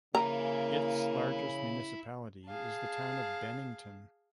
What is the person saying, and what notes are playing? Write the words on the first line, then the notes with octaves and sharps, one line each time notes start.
Its largest municipality is the town of Bennington.
C#3 A#3 E4 G#5 A#5
G#4 F5 A5